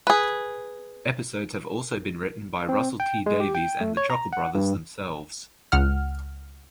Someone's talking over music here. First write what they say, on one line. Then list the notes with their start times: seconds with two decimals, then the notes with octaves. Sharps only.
Episodes have also been written by Russell T Davies and The Chuckle Brothers themselves.
0.07 G#4 B4
2.69 C4
3.00 G5
3.26 G#3
3.40 G4
3.55 G5
3.81 A3
3.97 C#5
4.10 A#5
4.33 F#5
4.55 G2
5.72 C#2 F#5 F6